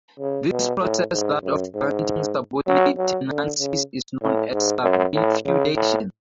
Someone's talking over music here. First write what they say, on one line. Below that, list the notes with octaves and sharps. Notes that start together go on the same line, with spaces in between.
This process-that of granting subordinate tenancies-is known as subinfeudation.
C#3
B2
A2
G#2
F#2
G#2
F#3
F#3
D3
C#3
A2
G#2
F#2
A2
C#3
A2